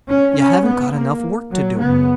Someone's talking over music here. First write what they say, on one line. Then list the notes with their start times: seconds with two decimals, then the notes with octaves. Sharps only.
You haven't got enough work to do.
0.08 C#4
0.36 C#4
0.65 G#2 B3
0.94 A#3
1.52 F#3
1.79 C#3 B3
1.84 F#2